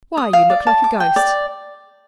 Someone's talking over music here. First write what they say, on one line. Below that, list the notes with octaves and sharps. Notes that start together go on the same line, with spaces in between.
'Why, you look like a ghost.
D#6
F5
D5
A5
D6
G5
D5